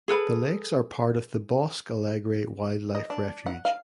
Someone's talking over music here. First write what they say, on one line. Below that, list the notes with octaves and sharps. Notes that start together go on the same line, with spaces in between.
The lakes are part of the Bosque Alegre Wildlife Refuge.
G#4 A4 B4 B5
D#5
D4
F#5
F5